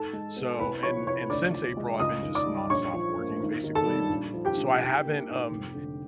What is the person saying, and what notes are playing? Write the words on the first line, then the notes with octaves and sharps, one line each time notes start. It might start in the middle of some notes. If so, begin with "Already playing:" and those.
so and and since April, I've been just nonstop working, basically, b b so, I haven't um,
Already playing: G#2 A4 A5
G#3
B3
C2 B4 B5
F3 C#5 C#6
C2 C#5 C#6
D2 D5 D6
F3
G#3
C#2 D#5 D#6
D#3
D5 D6
G3
A#1 C#5 C#6
F3
A#3
G#1
D#3
A4 A5
G3
A#1
F3
G4 G5
A#1
G#2
A#3
G#2
F1
D3